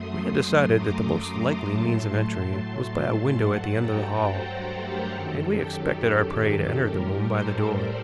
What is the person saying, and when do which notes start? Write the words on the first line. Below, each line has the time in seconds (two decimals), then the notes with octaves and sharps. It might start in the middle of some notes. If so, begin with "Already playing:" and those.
We had decided that the most likely means of entry was by a window at the end of the hall, and we expected our prey to enter the room by the door.
Already playing: F#2 F#3 A3 C6 D#6
0.33 C6 D#6
0.77 A#5 D6
1.64 A2 F#3 A3 A5 C6
3.38 G2 F#3 A3 F#5 A5
3.81 G5 A#5
4.25 A4 C5
4.54 A4 C5
4.83 G4 A#4
5.12 F#2 D#3 F#3 A4
5.55 G4
5.99 A4
6.86 A2 G3 G4 A#4
7.29 A4 C5
7.73 A#4 D5